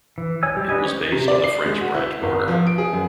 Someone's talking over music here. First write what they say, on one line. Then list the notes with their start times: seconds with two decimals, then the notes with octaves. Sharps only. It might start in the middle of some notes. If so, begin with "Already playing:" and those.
It was based on the French Brandt mortar.
0.18 E3
0.43 C#5 G#5 E6
0.57 G3 G#3 G4
0.69 D4 F#4 B4 D#5 G#5
0.83 G#3 C#4 C5 C#6 D6
1.12 C3
1.28 D5
1.44 C7
1.66 G#3
1.81 F#4
1.94 E4
2.22 G#1
2.48 F3
2.67 D7
2.78 G#4
2.93 F#2